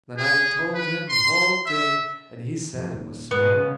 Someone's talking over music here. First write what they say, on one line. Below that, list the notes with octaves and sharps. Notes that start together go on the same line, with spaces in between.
Then I told him the whole thing, and he said it was smart.
G#4
B4
C6
E5
F2
D#1
G#2 B3
C#3